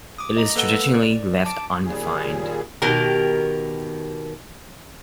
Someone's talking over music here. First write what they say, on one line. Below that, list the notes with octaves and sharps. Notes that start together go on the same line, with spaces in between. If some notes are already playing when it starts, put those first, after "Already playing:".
It is traditionally left undefined.
D6 D#6
D#5 A#5
A#3 A4 B4 F#5 E6
D5
A5 D6 D7
D#2 A#2 G3 G#4
B2 D#3 G4 A#4